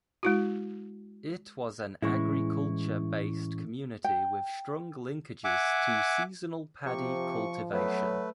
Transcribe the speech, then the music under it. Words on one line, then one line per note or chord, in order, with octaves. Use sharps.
It was an agriculture-based community with strong linkages to seasonal Paddy cultivation.
G#3 E4 F#4
A2 E3 G#3 C#4 E4 C#6
G5
E5 F#5 G#5 D6
C3 F3 C#6
F#3 A3 B3 B4